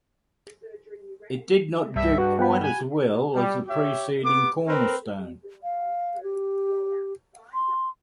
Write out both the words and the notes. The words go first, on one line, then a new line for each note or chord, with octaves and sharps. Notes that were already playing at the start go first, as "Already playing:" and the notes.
It did not do quite as well as the preceding "Cornerstone".
C2 G2 E5
F#4 B4 F#5
B3 F#5 G5 B5
G#5
G3
G4 C#5 E5
B3 D6
C4 A#4 B4
F5
G4
C6